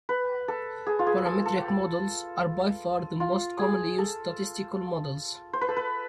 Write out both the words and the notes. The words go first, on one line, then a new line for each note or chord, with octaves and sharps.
Parametric models are by far the most commonly used statistical models.
B4
A4
G#4
F4
G#4
A4
A4
F4
G#4
A4
C5
B4
A4
B4